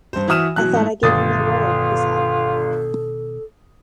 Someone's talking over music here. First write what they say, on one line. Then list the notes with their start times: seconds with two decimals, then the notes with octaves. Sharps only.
"I thought I gave you my word," he said.
0.13 G2 C5
0.28 E3 F#4 E5 D#6 F6 E7
0.56 B2 E3 F#3 F#6
0.73 G#2 A3 E4
1.03 G1 B2 D#3 F4 A4 D#6 A6